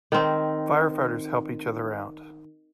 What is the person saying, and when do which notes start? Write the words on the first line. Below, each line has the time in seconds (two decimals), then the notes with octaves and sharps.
Firefighters help each other out.
0.12 D#3 C4